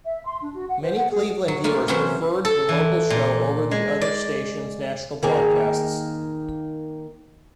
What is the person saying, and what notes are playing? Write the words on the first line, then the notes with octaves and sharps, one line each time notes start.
Many Cleveland viewers preferred the local show over the other stations' national broadcasts.
E5
C6
D4
F#4
F#5
C5
F#5
G#4
F#3
A3 A#3 F4 G#5
C3 E3 F#3 C#4 C5 F#5
A4
E3
A#2
G#3
D5
D#3 A#3 G#4